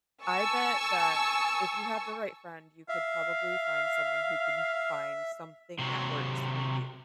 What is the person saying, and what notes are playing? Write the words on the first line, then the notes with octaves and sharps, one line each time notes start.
I bet that if you have the right friend, you could probably find someone who can find something that works for you.
G#5 A5 C#6 E6
E5 F5
C3 F#3